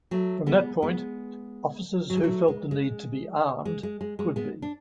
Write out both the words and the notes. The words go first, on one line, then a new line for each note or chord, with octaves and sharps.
From that point, officers who felt the need to be armed, could be.
F#3 A3
G#3 B3
G#3 B3
F#3
G#3
F#3 A3
G#3
G#3
G#3
G#3
G#3
G#3
G#3 B3
D4